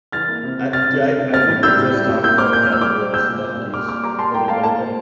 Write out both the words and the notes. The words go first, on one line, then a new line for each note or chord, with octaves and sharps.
I do I I think we just talked about capibaras and donkeys a little bit ago.
E3 F6 A6
A#3
C3
C3
C3 F6 A6
C3
C3
C3
A#3 F6 A6
A2
G3 E6 G6
A2
G3
A2
A#3 E6 G6
A#3 D6 F6
A#2 G6
F6
A#3 E6
G3 D6 F6
G3
A#2 E6 G6
A#2
A#2
G3
A#2 D6 F6
A#3 D6 F6
G3 A#5 D6
A#3 A5 C6
G3 G5 A#5
G5
A#3 F5 A5
A#3 F5 A5
A#2